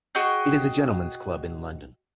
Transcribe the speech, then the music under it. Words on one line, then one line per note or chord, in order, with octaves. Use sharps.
It is a gentlemen's club in London.
F#4 G#4 D#5 G5